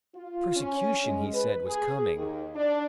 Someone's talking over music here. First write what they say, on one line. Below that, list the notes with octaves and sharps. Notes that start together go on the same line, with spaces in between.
Persecution, he said, was coming.
F4
C#4
G#3
B4
G#4
D#2
D4